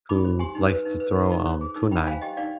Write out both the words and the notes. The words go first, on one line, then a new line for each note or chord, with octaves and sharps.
who likes to throw, um, kunai,
D#4 B5 D6
C5
G4 G#5 C6
D#4
B4
D#4
B4
D#4
D#4
C5
G#4
D#4
D#4 G5 B5
C5 F5 G#5
G4 D#5 G5
D#4 D5 F5